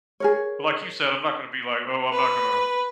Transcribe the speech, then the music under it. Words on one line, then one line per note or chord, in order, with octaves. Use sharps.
but like you said, I'm not gonna be like, "Oh, I'm not gonna
G#4 A#4 C#5
B4